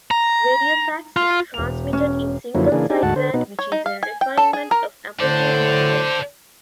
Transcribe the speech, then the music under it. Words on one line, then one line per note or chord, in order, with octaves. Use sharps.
Radiofax is transmitted in single sideband which is a refinement of amplitude modulation.
A#5
F4
E1 F7
C#4
F#2 D3 F3 F#3 A#3 E4
C#3 E3 A#3 D4 G#4
D4 D#4 G4 G#4
D2 G#2 F#4 F#5 A5
D3 C5
B2 B3 D#4
C#5
D#4
F5
G#5
G5
A4
G#4
A#4
A2 D3 A4 C5 D5